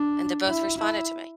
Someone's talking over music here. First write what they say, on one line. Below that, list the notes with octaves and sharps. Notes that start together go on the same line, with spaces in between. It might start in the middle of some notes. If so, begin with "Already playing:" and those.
and they both responded to me
Already playing: D4
E4
E4